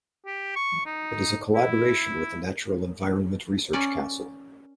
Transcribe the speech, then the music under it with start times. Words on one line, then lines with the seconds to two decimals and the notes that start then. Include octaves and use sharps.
It is a collaboration with the Natural Environment Research Council.
0.26 G4
0.56 C#6
0.86 D#4
1.54 E4
3.73 C#4 A#4 D5